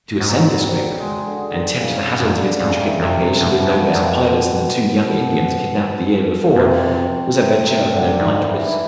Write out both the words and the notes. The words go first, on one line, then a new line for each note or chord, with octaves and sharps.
To ascend this great river, and tempt the hazards of its intricate navigation with no better pilots than the two young Indians kidnapped the year before, was a venture of no light risk.
G#2 F#3
G3
F#3
G#3
D3
D#3
C#3
C#3
F#2
D3
F2 C#3
C3
F2 C3
C3
F2 B2
B2
F#2
A#2
F2 C3
B2
B2
F#2
F2 C3
C3
C3
D3
G#2 D#3
E3
E3
E3